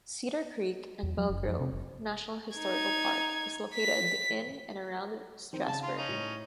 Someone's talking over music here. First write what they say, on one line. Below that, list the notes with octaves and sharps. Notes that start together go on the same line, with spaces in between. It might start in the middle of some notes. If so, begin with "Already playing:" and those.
Cedar Creek and Belle Grove National Historical Park is located in and around Strasburg.
E2
F#3
F#1
F2
C3
F#1
D#4 G#6
B6
D#3 C4
C#3 A5
F4
C#4 D#4
A2